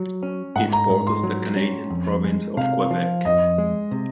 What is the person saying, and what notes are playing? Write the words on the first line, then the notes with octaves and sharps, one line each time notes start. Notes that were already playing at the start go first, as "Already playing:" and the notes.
It borders the Canadian province of Quebec.
Already playing: F#3
C#4
G#2 F#5
A#5
G#2
C6
F#3
C#4
F2
G#3
C3 F5
F3
F2 D#5
G#3
C3